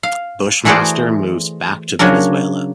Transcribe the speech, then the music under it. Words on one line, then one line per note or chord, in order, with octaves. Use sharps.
Bushmaster moves back to Venezuela.
F5
E3 A3 F#4 G#4 C5 D5
C#3 F#3 C#4 D4 A#4